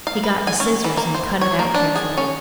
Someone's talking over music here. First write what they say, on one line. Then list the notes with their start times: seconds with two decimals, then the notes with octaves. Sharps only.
He got the scissors and cut it out carefully.
0.07 F5
0.24 B4
0.47 G#5
0.60 C#4
0.84 E3
0.97 A#3
1.15 C5
1.41 C#5
1.59 A#3
1.74 D4
1.96 G#4
2.17 C#4